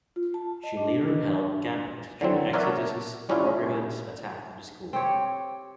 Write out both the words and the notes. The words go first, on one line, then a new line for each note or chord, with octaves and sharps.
She later helped Gambit during Exodus's Brotherhood's attack on the school.
F4
A5
D#5
D4
D4
D3 E3 F#3 C4
A#4 C#5 D5 E5 F#5 A5
G3 C#4 D4 E4 F4
C4 G4 C#5